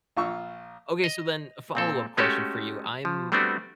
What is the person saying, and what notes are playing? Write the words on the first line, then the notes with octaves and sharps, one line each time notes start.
Okay, so then a follow-up question for you, I'm
A#1 F4 C#6 E6
D#5
A#2 C4 A4
G#3 A3 C#4 F#4 G4 A4
F3
G3 A3 B3 C4 D4 F#4